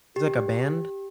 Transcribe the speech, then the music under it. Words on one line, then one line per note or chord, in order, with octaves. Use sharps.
It's, like, a band?
G4